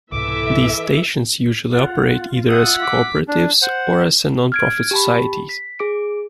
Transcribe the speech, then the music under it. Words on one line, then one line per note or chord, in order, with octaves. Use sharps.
These stations usually operate either as Cooperatives or as a non-profit Societies.
C2 G#2 B2 E3 A4 E5 D6
F4 F#5
E5 F#5 D#6
D6 B6
D4
C5 F#5
F6 G#6 D7
G4 A5 B5
B6
G#4 D6 D7